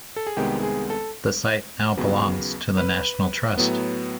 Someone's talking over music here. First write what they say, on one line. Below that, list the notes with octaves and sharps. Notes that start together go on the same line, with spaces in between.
The site now belongs to the National Trust.
A4
G#4
C2 C3 D#3 G#3 B3 G4
G#4
A4
D#2 C#3 F#3 B3
B4
A2 F#3 B3